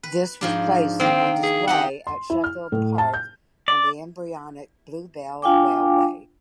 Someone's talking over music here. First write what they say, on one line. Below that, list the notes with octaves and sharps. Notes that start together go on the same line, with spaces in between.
This was placed on display at Sheffield Park on the embryonic Bluebell Railway.
B4
G#2 F3 D4
D#3 A#3 C4
G#4
C4 D#4 G4 F#5
C6
E4
F6
A2
A5
G6
D5
D4 F4 F5 G5 G#5 D6